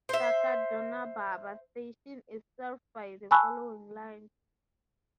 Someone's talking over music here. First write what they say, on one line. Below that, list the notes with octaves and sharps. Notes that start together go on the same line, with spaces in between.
Takadanobaba Station is served by the following lines.
C5 E5
G#5 A5 B5 C#6 E6 F#6